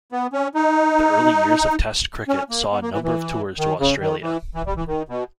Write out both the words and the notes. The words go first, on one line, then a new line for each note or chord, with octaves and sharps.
The early years of Test cricket saw a number of tours to Australia.
B3
C#4
D#4
C#4
A#3
B3
A#3
E3
E3
D#3
C#3
D#3
E3
E3
G3
E3
D#3
B2